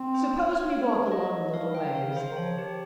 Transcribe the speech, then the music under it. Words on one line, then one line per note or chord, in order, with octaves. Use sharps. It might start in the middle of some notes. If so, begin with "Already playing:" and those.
Suppose we walk along a little ways?
Already playing: C4
C5
C#5
C#5
D#5
F3 F5
G3
F3
G5
D#3
F5
C#3
C5
D#3
F3 C#5
G4